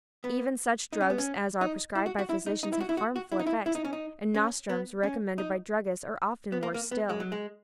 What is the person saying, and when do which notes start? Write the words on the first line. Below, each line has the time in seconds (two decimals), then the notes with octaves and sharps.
Even such drugs as are prescribed by physicians have harmful effects, and nostrums recommended by druggists are often worse still.
0.24 B3
0.93 D#4
1.01 C#4
1.10 B3
1.18 C#4
1.61 D#4
1.95 E4
2.06 F#4
2.19 F#4
2.29 E4
2.46 D#4
2.63 D#4
2.73 E4
2.81 F#4
2.89 E4
2.97 F#4
3.16 F#4
3.32 E4
3.39 D#4
3.47 E4
3.66 E4
3.75 D#4
3.85 C#4
3.93 D#4
4.34 C#4
4.69 B3
5.03 C#4
5.38 D#4
6.52 B3
6.63 A#3
6.74 A#3
6.91 B3
7.09 G#3
7.20 F#3
7.32 G#3